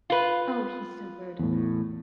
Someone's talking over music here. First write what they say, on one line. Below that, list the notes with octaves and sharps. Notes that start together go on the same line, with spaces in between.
Oh, he's so good.
F4 B4
E2 A2